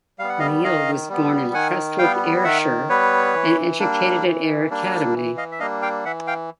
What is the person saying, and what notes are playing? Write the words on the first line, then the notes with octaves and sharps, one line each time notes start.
Neill was born in Prestwick, Ayrshire and educated at Ayr Academy.
G3 B3 F5
F#5
D#5 F5
D#3 D#5 F5
G3 B3
D#3 F#5 G#5
G3 B3 F5 G5
D#3 E5 F#5
G3 B3 B4 C#5
E3
G3 A#3 D4
E3
G3 A#3 D4
E3
D#5 F5
E5
G3 A#3 D4 D#5 F5
F5 G5
E3 E5 F#5
F5 G5